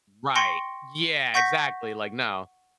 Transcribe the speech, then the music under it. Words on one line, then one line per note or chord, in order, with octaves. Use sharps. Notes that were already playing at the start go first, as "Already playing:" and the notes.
right, yeah, exactly, like, "No."
G5 C6 C#6 A#6 C#7 G7
F#5 C#6 G6 A#6 B6